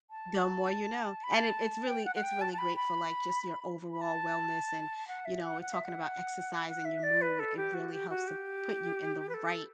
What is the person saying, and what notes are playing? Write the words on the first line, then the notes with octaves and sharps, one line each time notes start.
The more you know, and it it's really, it's really great for like just your overall wellness, and, you know, we're talking about exercising your mood, it really helps to put you in the right
A5
B5
A5
G5
F#5
F#5
G5
A5
A5
B5
B5
B5
A5
F#5
E5
F#5
F#5
E5
F#5
F#5
E5
D5
B4
A4
G4
F#4
G4
F#4
G4
B4
A4